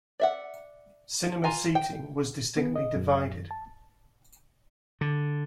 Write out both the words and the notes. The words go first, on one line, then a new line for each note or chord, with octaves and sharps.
Cinema seating was distinctly divided.
D5 E5 F#5
F4 G#5 A#5
G5
B3
D#5
F#2
A5
D3